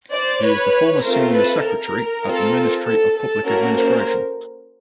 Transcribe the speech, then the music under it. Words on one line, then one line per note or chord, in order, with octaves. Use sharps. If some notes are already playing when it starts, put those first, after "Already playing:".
He is the former Senior Secretary at the Ministry of Public Administration.
C5 D5
B4 C#5
A3 C4 F4 A#4 C5
A4 B4
A#4
C4 F4 A4
A4
A4
A#3 C#4 F#4 A4 A#4
A#4 C5